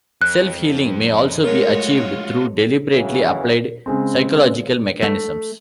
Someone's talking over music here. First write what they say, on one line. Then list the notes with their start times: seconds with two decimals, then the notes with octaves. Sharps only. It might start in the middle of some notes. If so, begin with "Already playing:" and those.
Self-healing may also be achieved through deliberately applied psychological mechanisms.
0.22 F2 F#6
1.44 G#3 A3 F4 F#4 A#4 C#5
2.91 D2 C#3 E3 F#3 B4
3.86 C#3 G#3 C4
5.03 A3